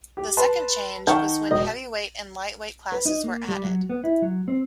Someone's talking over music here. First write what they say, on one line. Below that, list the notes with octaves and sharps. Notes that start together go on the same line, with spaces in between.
The second change was when heavyweight and lightweight classes where added.
G4
B4 A5 C6
D#3 F#5 A5 C#6 F6 G6
E1 D#5
B4
D#4
A#3
G3
F#3
B3
E4
F#3
C4